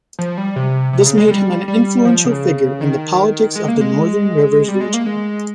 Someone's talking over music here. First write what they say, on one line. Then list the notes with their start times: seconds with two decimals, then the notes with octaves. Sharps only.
This made him an influential figure in the politics of the Northern Rivers region.
0.19 F3
0.38 G3
0.56 C3
0.93 C3
1.06 C#3
1.18 G#3
1.31 G3
1.68 G3
2.05 F3
2.25 C#3
2.81 D#3
3.56 G#3
3.68 A#3
3.81 G#3
4.68 G3
4.80 G#3
4.94 A#3
5.06 G#3